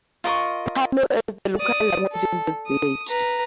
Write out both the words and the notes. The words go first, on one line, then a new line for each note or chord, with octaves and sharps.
Tamil is the local language in this village.
F4 A#4 D#5 C#6
D5 D#6
A4
D#6
B4 A#5